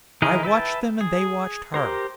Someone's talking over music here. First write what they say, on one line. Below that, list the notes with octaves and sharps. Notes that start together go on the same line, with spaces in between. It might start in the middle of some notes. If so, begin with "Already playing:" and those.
I watched them and they watched her.
D#3 D#4 E4 G#4 A#4
B4 E5 G5 A5
G#4
G4 A#4 C5